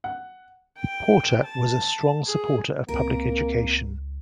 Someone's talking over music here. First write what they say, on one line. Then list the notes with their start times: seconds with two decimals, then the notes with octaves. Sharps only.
Porter was a strong supporter of public education.
0.04 F#5
0.79 G5
1.44 A5
2.27 G#4
2.88 C#2 A#3 C4 A#4